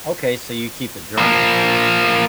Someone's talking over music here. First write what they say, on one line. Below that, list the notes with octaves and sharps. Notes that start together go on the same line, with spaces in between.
Okay, so you keep a journal.
F3 A#3